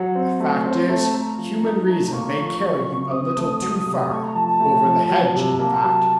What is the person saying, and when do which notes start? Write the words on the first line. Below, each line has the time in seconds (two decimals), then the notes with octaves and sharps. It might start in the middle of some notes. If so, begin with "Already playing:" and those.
The fact is, human reason may carry you a little too far--over the hedge, in fact.
Already playing: F#3 F#5
0.15 C4
0.40 A3
0.65 C4 C#5
0.77 C5
0.89 A3
1.01 A5
1.14 A3 A#5
1.38 F3
1.64 D#4
1.88 A3
2.13 A#3 C#6
2.38 F3
2.62 F#3
2.87 C#3
3.11 C4 D#6
3.37 A3
3.61 F#3
3.86 C3
4.11 A3 C#6
4.24 A#5
4.35 F3 A5
4.48 A5
4.60 A3
4.85 F3
5.10 F#3
5.34 C3
5.59 A#3 A5
5.84 F#3